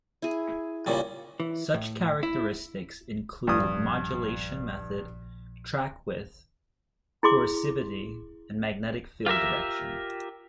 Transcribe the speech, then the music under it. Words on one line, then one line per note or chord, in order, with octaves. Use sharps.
Such characteristics include modulation method, track width, coercivity, and magnetic field direction.
E4 G#4
A#2 C#3 G3
E3
A2
E4
A#1 G2 F3 D#6
E4 G#4 C6 D6
F4 G4 A#4 E5